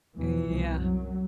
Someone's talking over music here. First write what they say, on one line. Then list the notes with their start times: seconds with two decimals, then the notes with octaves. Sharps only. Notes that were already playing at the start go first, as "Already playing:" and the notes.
Uh, yeah.
0.17 E2 B2 E3
0.48 C2 B2
0.79 F#2 F#3